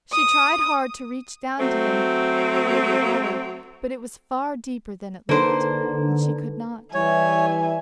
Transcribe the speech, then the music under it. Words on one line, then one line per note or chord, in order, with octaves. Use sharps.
She tried hard to reach down to him through the water, but it was far deeper than it looked, and she could not.
D#6
F#3 A3 C4
D3 A#3 D#4 A4 B4 C5
E3 G3 C#5 E5 G#5